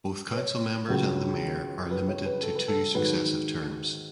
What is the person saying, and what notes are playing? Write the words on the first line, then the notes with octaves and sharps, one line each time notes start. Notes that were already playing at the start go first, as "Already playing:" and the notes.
Both council members and the mayor are limited to two successive terms.
B4
C#5
C#2 C#3 F#3
B4
C#5
B4
A4
B4
A4
G#2 D#3 F#3 B4